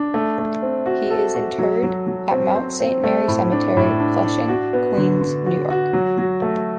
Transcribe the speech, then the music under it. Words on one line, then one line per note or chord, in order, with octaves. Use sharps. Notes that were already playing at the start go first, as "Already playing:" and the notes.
He is interred at Mount Saint Mary Cemetery, Flushing, Queens, New York.
Already playing: D4
A3
A3
C4
F#4
A4
F#4
F#3
F#3
F#3
C4
C5
C4
A3
A2
D4
A2
D4
D4
F#4
B3
D3
D3
F#4
F#4
F#3
F#3
A3